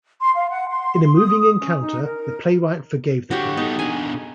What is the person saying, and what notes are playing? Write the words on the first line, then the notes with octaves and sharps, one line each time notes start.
In a moving encounter the playwright forgave the pilot.
C6
F5
F#5
C6
D#6
C#4
D#4
A#4
D3 F#4 G4 C#5
B3 D#4 A4
B2 D4 G#5